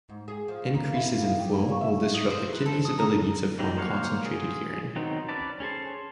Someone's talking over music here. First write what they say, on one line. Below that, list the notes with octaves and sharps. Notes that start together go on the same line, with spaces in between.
Increases in flow will disrupt the kidney's ability to form concentrated urine.
G#2
G#4
F3
D#2
A#3
E4
A#3
B3
G4
A#3
C#5
E5
D#5
C5
B4
A4
D#6
A#5
E3 F#3 G3 C4 D#4
A#3 C5 C#5 F5 F#5
G#4
D#3 F#3 B3 C4 D#4
C#4 B4 D5 A5
C#4 G#4 A4 C5